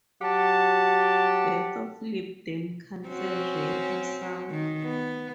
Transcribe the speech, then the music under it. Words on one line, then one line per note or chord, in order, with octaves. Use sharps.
Death of Lib Dem Councillor Ray Hassall.
F#3 G4 F#5 A5
C4 C#4 F#4
D#3
B3